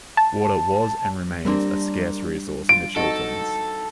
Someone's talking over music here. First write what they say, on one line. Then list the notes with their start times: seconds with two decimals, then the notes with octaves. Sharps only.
Water was and remains a scarce resource in the Chilterns.
0.17 A5
1.45 G3 A#3 C4 D4 A#4
2.69 F4 D7
2.96 C4 D#4 F#4 A4